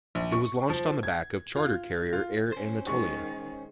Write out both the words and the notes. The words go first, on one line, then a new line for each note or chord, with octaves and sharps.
It was launched on the back of charter carrier Air Anatolia.
A#1
C#6
F3
G#6
F4
F4
C#4 C5
D#3 G#3 C#6